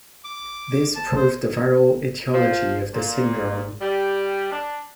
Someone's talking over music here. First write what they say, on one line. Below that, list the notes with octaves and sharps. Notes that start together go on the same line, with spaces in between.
This proved the viral etiology of the syndrome.
D6
A5
C5
F3
A#2
G3
D4